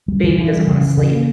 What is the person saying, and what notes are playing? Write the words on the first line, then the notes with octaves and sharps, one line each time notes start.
baby doesn't wanna sleep,
G3
E3
E3
G3
C#3
E3
C#3
A#3